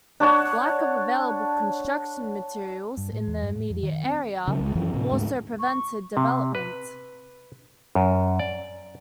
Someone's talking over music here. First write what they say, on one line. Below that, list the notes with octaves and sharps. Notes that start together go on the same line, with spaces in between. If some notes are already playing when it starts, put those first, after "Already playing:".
Lack of available construction materials in the immediate area also prevented development.
D4 C#5 F#5 A5
G2
A2
E2
G2
A2
F2
D#3
C4
C#3 F#3 G3
C#2 G#3
F#2 E3 F3 C#4
A2 C3
D2 G#2 A3
C#6
C3
B4
F#2
D5